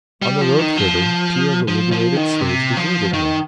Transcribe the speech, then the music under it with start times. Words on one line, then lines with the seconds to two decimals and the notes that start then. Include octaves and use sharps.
On the road thither, two of the liberated slaves deserted him.
0.22 G3
0.41 F3
0.59 D#3
0.77 F3
1.68 F3
1.92 F3
2.16 D#3
2.41 C3
2.77 F3
3.13 D#3